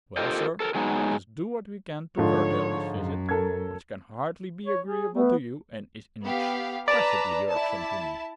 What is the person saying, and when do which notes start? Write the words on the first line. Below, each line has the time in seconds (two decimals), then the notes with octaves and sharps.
Well, sir, let us do what we can to curtail this visit, which can hardly be agreeable to you, and is inexpressibly irksome to me.
0.17 F4 G4 A4 A#4 C5 D#5
0.60 A4 A#4
0.75 F#3 G#3 B3 D#4
2.18 G#2 D3 F3 C#5
2.94 F#2
3.29 A4 A#4 G#6
4.66 C#5
4.85 G#4
5.14 A3 B3
6.23 B3 G4 F5
6.88 B4 D5 A5 A#5
7.51 E4 A5